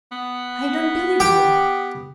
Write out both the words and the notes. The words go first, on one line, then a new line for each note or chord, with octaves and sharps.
I don't believe you!
B3
G4